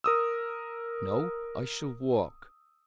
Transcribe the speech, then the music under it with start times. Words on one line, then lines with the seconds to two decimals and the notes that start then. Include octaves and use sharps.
"No; I shall walk."
0.04 A#4 D#6 E6